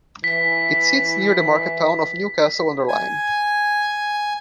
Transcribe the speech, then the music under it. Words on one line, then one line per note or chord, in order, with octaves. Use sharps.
It sits near the market town of Newcastle-under-Lyme.
E3 B6
G#5